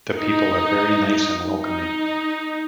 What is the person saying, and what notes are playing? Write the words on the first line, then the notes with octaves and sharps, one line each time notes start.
The people are very nice and welcoming.
D#4
D#4